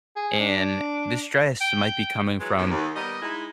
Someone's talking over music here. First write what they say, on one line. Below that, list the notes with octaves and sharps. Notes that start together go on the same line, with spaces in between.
and the stress might be coming from,
G#4
D4
G5
E3 F#3 G#3
C3 D#3 F3 F#3 B3 A4
D#2
G3 B3 A#4 D#5
G#3 D#4 E4